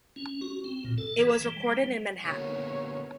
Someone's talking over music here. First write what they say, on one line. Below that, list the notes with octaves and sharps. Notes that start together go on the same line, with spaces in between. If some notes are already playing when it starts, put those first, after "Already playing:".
It was recorded in Manhattan.
C#4
F#4
C4
A#2
A4
E3
G3
D3 A#3 B3 C#5